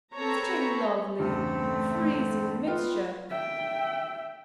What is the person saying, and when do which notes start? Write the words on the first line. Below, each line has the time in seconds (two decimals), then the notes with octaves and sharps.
'Such a lovely freezing mixture!
0.14 C4 A4 B4 C#5 A5 A#5
1.19 E2 G2 C#3 A3 C4
2.67 B3 F4 G5
3.30 E5 G5